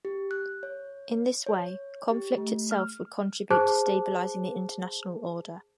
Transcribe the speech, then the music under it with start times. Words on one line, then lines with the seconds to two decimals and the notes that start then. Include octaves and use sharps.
In this way, conflict itself would contribute to stabilizing the international order.
0.05 G4
0.31 F#6
0.63 C#5
1.47 C#5
2.11 G4
2.38 A3
2.71 F6
3.50 G#4 C5 A5 D6 F#6